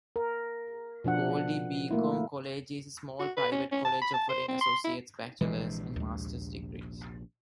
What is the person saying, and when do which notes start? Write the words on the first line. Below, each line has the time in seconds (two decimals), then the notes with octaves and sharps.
Goldey-Beacom College is a small private college offering associates, bachelors, and master's degrees.
0.16 A#4
1.04 B2 F3 D4 F#5
1.91 A3 A#3 E4
3.20 F#4
3.37 B4
3.52 C#4
3.72 C#4
3.85 A5
4.02 B5
4.14 A5
4.29 C5
4.48 C4
4.61 C6
4.84 E4
5.41 A#1 C3 E3 G#3
5.96 D#2 G#3